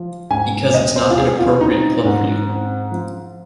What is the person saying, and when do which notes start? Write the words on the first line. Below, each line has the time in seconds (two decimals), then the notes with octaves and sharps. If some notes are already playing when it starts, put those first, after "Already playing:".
Because it's is not an appropriate club for you.
Already playing: F3
0.30 G#2 G#5
0.74 C4 D#5
0.96 C5
1.10 F4
1.18 C4 G#4
1.39 F4
1.61 C4 D#4
2.05 G#2
2.48 C4
2.92 F3